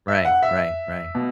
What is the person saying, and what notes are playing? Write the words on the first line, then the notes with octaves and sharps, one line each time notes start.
Right, right, right.
E5
F#5
E5
B2